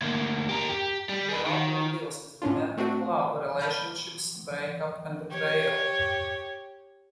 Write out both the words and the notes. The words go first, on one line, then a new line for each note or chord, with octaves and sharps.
The album deals with romantic love, relationships, break up and betrayal.
D2 A#3
G4 A#4
G4
G3
G#4 B4
D#3
A2 C#4 D4 F4
A3 C4 D4 F#4
A5 B5 F6 G6
G4 C#5